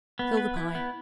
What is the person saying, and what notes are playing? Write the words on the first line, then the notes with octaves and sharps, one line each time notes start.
Fill the pie.
B3
B4
E4
B3